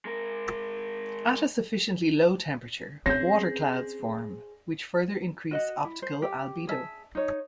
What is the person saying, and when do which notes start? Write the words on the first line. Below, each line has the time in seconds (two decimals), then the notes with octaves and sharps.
At a sufficiently low temperature, water clouds form, which further increase optical albedo.
0.05 G#3 A#4
3.06 C4 C#4 G#4 C5 C#5 G6 A#6
5.51 F#4 D#5 F#5
5.84 E4
6.02 C5
6.22 G4
6.67 G#4 E5 A5
7.15 D#4 C#5